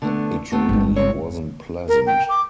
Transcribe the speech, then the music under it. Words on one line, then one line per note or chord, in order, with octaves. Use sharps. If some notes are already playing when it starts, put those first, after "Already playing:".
It really wasn't pleasant.
D3 A3 B3
A3 B3 C4
G1 G#3
C4 C#5
A#4
G5
D6